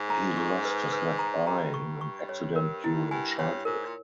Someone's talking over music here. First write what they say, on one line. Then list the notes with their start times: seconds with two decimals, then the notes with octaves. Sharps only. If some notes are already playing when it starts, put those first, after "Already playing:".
He lost his left eye in an accident during childhood.
Already playing: G#2
0.10 A#5
0.37 C#6
0.65 B4
0.92 B4
1.19 A#5
1.46 G2 A#5
1.74 C#6
2.01 C#6
2.29 C#5
2.56 A#4
2.84 E4
3.11 G2 G#5
3.39 G2 C#5
3.65 G#2 A#4
3.86 A#2